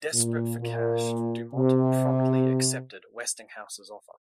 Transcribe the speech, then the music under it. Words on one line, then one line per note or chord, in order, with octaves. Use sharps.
Desperate for cash, DuMont promptly accepted Westinghouse's offer.
A#2
A#2
C3